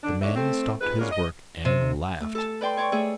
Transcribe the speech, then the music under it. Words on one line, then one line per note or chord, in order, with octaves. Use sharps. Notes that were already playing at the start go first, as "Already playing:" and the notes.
The man stopped his work and laughed.
D3 D4
E2 D3 C#5 D5 E5
A3 C4
F2 G#2 G#3 B4
G#3 B3 C#4 D4 F4 A#4
D#5
C3
A3
A4 A5
B4 D5 G5 C6
C#5 D5 C#6
A3 G#4 A4 C#5